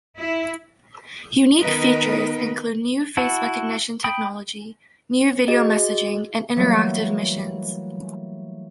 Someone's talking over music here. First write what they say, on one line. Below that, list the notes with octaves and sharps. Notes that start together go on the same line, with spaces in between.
Unique features include new face recognition technology, new video messaging, and interactive missions.
E4
D#3 B3 D#4 A#4 B4 D#5
E4 F#4 F#5 A5
G5 B5 D#6
F#4 G#4 D#5
E3 F#3 G3 A3 A#3